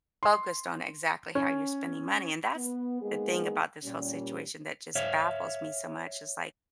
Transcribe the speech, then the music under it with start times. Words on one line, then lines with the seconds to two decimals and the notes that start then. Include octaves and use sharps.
focused on exactly how you're spending money and that's the thing about this whole situation that just baffles me so much, is like,
0.23 C6
1.35 C#4
2.56 B3
3.02 G#3 A#3 B3 D#4 G#4
3.84 A#2 G3 C#4
4.95 C#5 E5 F5